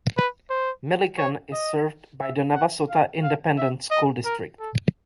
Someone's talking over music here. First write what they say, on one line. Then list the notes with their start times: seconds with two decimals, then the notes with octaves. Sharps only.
Millican is served by the Navasota Independent School District.
0.17 B4
0.50 C5
1.18 C#5
1.52 D#5
2.22 E5
2.54 F#5
2.89 F5
3.23 F5
3.58 E5
3.91 D#5
4.25 A#4
4.60 A4